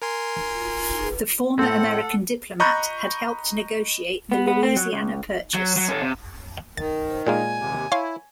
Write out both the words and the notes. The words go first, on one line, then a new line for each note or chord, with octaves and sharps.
The former American diplomat had helped negotiate the Louisiana Purchase.
A#4 G#5 C6
A2 A3 C4 A4 F#5
D#5 A#5 B5 C#6 F#6 G6
B3
B3
C4
F#3
C#2
F#3
F#3
C#4 A4
C3
D#3 A6
A#2 G#3 A#3 G#5
D#2 C3
E4 C#5 F5 C6